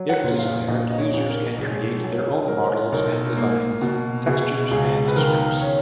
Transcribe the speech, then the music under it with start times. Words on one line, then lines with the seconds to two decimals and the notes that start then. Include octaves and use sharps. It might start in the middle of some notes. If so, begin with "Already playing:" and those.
If desired, users can create their own models and designs, textures, and scripts.
Already playing: F#3
0.09 F#5
0.24 A#2
0.38 F5
0.68 A#1 D#5
0.90 D#5
0.98 C#5
1.13 A#1
1.28 A#4
1.58 B1 G#4
2.03 F#3 G#4
2.48 F#3 A#4
2.92 B1 A#4
3.37 A#3
3.82 B2
4.26 B2 G#4
4.71 C#2 G#4
5.08 B4
5.16 D#3 A#4
5.61 C#4 C#5